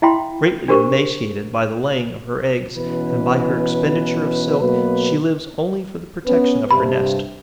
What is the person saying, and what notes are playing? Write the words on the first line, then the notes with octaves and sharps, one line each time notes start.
Greatly emaciated by the laying of her eggs and by her expenditure of silk, she lives only for the protection of her nest.
E4 E5 F5 G5 B5 C6
D4 F#4 G4 A#4 C5 C#6
B2 E3 C#4 B4
B2 F#3 A#3 B4
B3 C#4 B4
G2 C3 B5